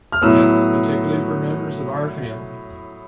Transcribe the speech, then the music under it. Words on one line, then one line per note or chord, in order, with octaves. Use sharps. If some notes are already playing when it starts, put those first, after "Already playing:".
"Yes. Particularly for members of our family."
F6
A2 F#3 B3 E6